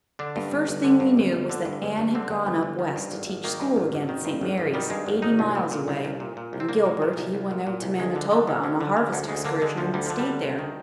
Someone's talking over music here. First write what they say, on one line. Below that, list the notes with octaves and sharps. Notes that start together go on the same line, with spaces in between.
The first thing we knew was that Anne had gone up west to teach school again at St. Mary's, eighty miles away, and Gilbert, he went out to Manitoba on a harvest excursion and stayed there.
D3 D4
G2
G1
G1
D3
G2
G1
G1
D3
G2
G1
G1
D3 C4
G2
G1
G1
D#3
G2
G#1
G#1
D#3 A#3
G2
G#1
G#1
D#3
G2
G#1
G#1
D#3 G3
G2 G#3
G#1
G#1 D#4
C2
A#2
A#2
C2
C2
A#2
A#2
C2
C4
C2 A#3
A#2
A#2
C2
C2
A#2
A#2
C2
D2 G#3
D3
D3
D2
D2
D3
D3
D2
D2 G#3
D3 A#3
D3 G#3
D2 F3
D2 G3
D3 F3
G3
D3
D2
D#3